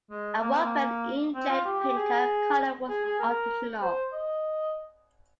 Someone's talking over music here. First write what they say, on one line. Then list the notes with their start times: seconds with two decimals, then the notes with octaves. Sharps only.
A one-pen inkjet printer, color was optional.
0.10 G#3
0.41 A#3
0.50 C4
0.61 A#3
1.34 C4
1.49 F4
1.65 G4
1.80 G4
1.96 G#4
2.89 G#4
3.04 G#4
3.19 A#4
3.82 C5
4.13 D#5